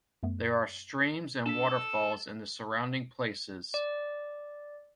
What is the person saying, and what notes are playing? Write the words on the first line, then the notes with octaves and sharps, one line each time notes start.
There are streams and waterfalls in the surrounding places.
F#2 A3 B3
D4 A4 B6
D5